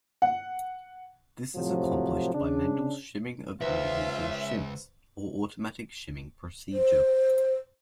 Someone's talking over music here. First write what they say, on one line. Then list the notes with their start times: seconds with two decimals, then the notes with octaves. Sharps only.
This is accomplished by manual shimming of individual shims, or automatic shimming procedure.
0.22 F#5
1.56 A2 C3 F3 F#3
2.34 C#3 D4
3.61 C#2 F4 B4 C5 E5
6.73 C5